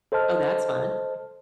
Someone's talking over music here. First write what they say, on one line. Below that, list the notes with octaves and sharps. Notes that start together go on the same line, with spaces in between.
Oh, that's fun.
A4 C5 D#5 A5 F6